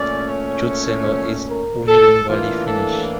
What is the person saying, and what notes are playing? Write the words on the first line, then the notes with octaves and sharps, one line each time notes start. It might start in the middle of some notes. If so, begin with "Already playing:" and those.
Joutseno is unilingually Finnish.
Already playing: A#2 A3 C#4 D5
C#5
C#5
A#4
A4
A2 E3 A#3 D4 F4
A4